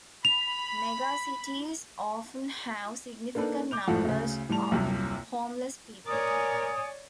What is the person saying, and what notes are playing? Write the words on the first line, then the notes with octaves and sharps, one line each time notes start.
Megacities often have significant numbers of homeless people.
B5 F7
A#3 D4 D#4 A4 B4
D6 G6 F7
G#1 F2 A2 F3 A4 F#5
D2 C#3
A2 G3 A5 F7
D#1 C2 F#2 C3
A#4 C#5 D5 G#5 D#6